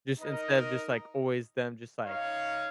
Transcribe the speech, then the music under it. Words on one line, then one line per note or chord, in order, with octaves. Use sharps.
Just instead of just, like, always them just, like,
D#4 A#4 D#5
D#4 C#5 F5